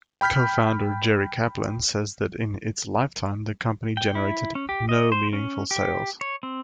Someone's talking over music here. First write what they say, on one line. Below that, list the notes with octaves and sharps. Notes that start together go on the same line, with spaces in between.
Co-founder Jerry Kaplan says that in its lifetime, the company generated "no meaningful sales".
G5 B5 F6 G6 B6
G5
E4
C#4
G4
D#5
C5
C#4
G4
C#5
C4